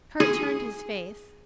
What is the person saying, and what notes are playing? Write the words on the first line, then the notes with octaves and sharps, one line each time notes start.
Kurt turned his face.
G#4